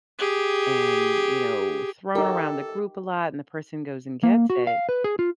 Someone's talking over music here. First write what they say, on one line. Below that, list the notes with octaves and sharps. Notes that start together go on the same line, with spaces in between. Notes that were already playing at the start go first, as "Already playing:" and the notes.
and, you know, thrown around the group a lot and the person goes and gets it,
G4 G#4
D#4 G4 A4 A#4
A#3
F#4
F5
B4
G#4
F4